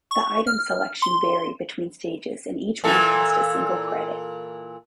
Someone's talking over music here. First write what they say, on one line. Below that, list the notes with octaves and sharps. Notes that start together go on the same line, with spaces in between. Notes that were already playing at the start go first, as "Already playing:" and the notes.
The item selection vary between stages and each one cost a single credit.
C#6
F6
C6
A#2 E3 A4